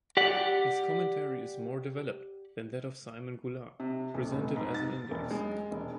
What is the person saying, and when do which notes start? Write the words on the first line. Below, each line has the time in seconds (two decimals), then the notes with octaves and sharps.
His commentary is more developed than that of Simon Goulart, presented as an index.
0.17 G4 D5 F#5
3.80 C3
4.14 D#1
4.32 F1
4.56 G#2
4.74 A6
5.11 E1
5.31 G#3
5.71 E1